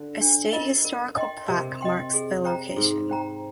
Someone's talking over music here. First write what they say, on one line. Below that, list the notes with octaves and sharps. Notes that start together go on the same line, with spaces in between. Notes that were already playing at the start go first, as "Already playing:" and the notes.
A state historical plaque marks the location.
Already playing: D3
D4
F4 A#4 D#5
A#4
D#5 G5 C6
C3 A#4
D#5 G5 C6
G#4
C5 G5 A#5
G#2 G#4
C5 G5 A#5